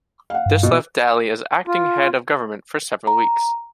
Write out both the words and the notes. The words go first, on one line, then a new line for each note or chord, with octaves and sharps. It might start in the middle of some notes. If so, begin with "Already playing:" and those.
This left Daly as acting head of government for several weeks.
F5 F#5
G2
B2
F4
A#5